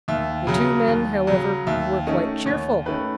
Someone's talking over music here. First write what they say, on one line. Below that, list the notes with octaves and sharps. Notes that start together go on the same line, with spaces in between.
The two men, however, were quite cheerful.
D#2 E5
C#3 F#3
D#2
C#3 F#3
D#2 E5
D#3 A3 C#4 D#5
D#2 C#5
D#3 A3 C#4 B4